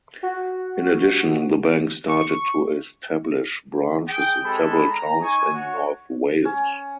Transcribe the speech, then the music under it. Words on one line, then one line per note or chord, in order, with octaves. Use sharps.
In addition the bank started to establish branches in several towns in North Wales.
F#4
C#6
G#4 G5
G#3 C4 G4 A4 G#5 B5
A#5
D#4 G#5 C#6
F#4 C#5
C#4